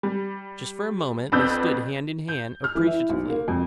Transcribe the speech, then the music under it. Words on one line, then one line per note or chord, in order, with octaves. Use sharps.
Just for a moment they stood hand in hand, appreciatively....
G3
F2 B3 D4 B4 E6 G6
G6
F6
E3
E4
B1
A#3
F2